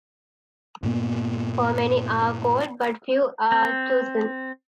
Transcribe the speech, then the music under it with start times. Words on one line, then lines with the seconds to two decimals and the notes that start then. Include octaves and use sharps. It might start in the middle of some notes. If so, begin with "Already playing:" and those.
For many are called, but few are chosen.
0.83 G2 A#2 A#3 B3
3.52 C4